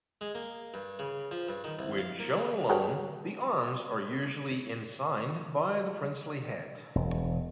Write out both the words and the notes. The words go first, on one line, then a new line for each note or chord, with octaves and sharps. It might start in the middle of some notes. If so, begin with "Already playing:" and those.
When shown alone, the arms are usually ensigned by the Princely hat.
G#3
A#3
G2
C#3
F3
G2
D#3
C2
F5
A#3
C#3
F#4 G#4 A#4 C#5 F#5 G5
E1